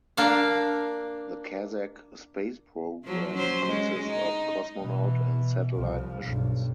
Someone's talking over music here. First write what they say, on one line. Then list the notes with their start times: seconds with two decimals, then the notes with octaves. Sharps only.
The Kazakh space program consist of cosmonaut and satellite missions.
0.17 A#3 D4 F5
3.04 F3 F#3
3.34 F#3 C#4 C5
3.65 G#3 C#4
4.07 D#4
4.81 B2 E3
5.75 C2 F3
6.23 B1 G2